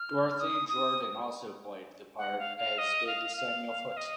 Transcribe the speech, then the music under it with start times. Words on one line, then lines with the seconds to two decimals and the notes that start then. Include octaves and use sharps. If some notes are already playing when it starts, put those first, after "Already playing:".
Dorothea Jordan also played the part as did Samuel Foote.
Already playing: F6
0.40 D#6
0.69 D#6
2.18 F#5
2.39 F5
2.57 F5
2.78 D#5
3.07 F5
3.37 F5
3.97 D#5